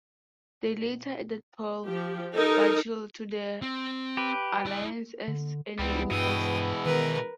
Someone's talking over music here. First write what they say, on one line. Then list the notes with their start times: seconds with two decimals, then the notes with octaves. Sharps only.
They later added Paul Burchill to the alliance as an enforcer.
1.85 F3 G4
2.35 D#4 A4 A#4
3.62 C4
4.17 G4 B4
4.66 E4 D5
5.28 D3
5.79 C#2 E3 G3 G#3 B3 C4
6.11 G2 B2 E4 G5 D#6
6.86 D#3 A#4 B4